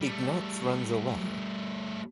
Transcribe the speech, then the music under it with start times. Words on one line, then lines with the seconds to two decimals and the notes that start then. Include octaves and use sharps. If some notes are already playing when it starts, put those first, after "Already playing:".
Ignatz runs away.
0.01 G3 A3